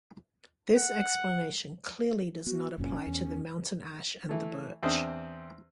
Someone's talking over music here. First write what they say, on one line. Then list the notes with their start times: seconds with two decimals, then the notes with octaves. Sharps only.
This explanation clearly does not apply to the mountain ash and the birch.
0.78 F#5
2.46 B3 F#4
2.78 F1 F#2 A#2 C#4
3.07 E2
4.29 E3 A3
4.83 E2 C4 D4 C5 D#6